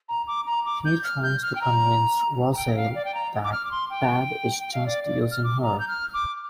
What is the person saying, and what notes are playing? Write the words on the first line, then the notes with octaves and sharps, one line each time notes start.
He tries to convince Rosalee that Tad is just using her.
A#5
D6
A#5
D6
G6
F6
G6
F6
G5
A#5
A#5
G5
F5
D5
G5
A#5
D6
F6
D6
C6
G5
G5
F5
D5
D5
F6
D6
A#5
G6
F6
D6